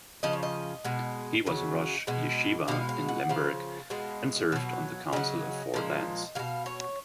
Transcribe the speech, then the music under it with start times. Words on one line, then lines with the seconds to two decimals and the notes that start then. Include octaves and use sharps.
He was Rosh Yeshiva in Lemberg and served on the Council of Four Lands.
0.23 C#3 F3 D#5
0.33 C#5
0.43 D#5
0.84 B2 G#3
1.46 C#3 F#3
2.07 B2 G#3
2.68 B2 G#3 F5
2.89 F5
3.09 F#5
3.29 C#3 F3 F5
3.90 B2 G#3
4.52 B2 F#3
5.13 C#3 F#3 D#5
5.74 A#2 F3 G#3
6.35 F#3 F5
6.39 B2
6.66 C#5